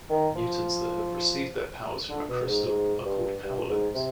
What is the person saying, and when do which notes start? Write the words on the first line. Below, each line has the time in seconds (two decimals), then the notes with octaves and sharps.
Mutants that have received their powers from a Crystal are called Powerlings.
0.10 D#3
0.36 F3
2.09 D3
2.28 B2
2.47 G#2
2.66 G#2
3.05 G2
3.43 G2
3.69 G#2
3.95 C3